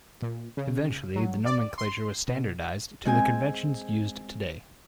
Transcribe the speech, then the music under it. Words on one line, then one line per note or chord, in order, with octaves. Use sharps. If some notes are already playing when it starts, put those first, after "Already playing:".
Eventually the nomenclature was standardized to the conventions used today.
A#2
C#3
F#3
D5
C6
B2
G#3 C4 G#5